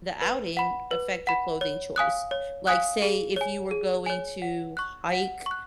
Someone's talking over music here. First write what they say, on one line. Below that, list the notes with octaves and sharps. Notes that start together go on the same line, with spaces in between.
the outing affect your clothing choice? Like, say, if you were going to hike,
B4
F#5 B5
B4
F#5 B5
C#5
F5 G#5 D#6 F#6
C#5
F5 G#5 D#6 F#6
G#4
C#5 G#5
G#4
C#5 G#5
F#5
C#6 F#6
F#5
C#6 F#6